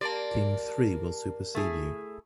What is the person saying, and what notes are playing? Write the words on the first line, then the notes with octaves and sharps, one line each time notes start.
Team three will supersede you.
A#3 G4 A#4 D5 A5
A3 E4 G#4